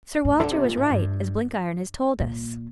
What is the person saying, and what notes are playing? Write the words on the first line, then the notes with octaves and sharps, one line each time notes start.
'Sir Walter was right, as Blenkiron has told us.
A2
D3
C3
A#2
A2
G2
A#2